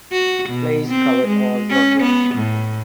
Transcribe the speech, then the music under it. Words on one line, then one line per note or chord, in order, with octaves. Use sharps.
Plays covered all genres.
F#4
B2
C4
G#3
C#4
B3
A2